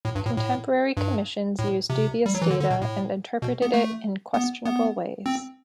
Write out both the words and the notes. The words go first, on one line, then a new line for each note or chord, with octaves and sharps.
Contemporary commissions used dubious data and interpreted it in questionable ways.
A2
G2
A2
A2
G2
A2
C3
G3
F#3
E3
D3
D3
B2
A2
B2
B3
A3
B3
B3
C4